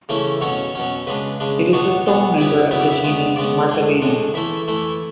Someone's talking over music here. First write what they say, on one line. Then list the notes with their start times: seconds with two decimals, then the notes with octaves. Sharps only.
It is the sole member of the genus "Marchalina".
0.09 C#3 E3 A3 C#4 E4
0.41 B2 F#3 C#4 C#5
0.75 B2 F#3 C#4
1.07 C#3 G#3 D4 B4
1.40 C#3 G#3 D4
1.73 B2 F#3 B3 D4 C#5
2.06 B2 F#3 B3 D4
2.38 C#3 F#3 B3 E4 D5
2.71 C#3 F#3 B3 E4 E5
2.81 D5
2.90 E5
3.04 C#3 G#3 B3
3.36 C#3 G#3 B3 D5
3.69 A2 G#3 D4
4.02 A2 G#3 D4
4.34 E3 A3 E4 E5
4.68 E3 A3 E4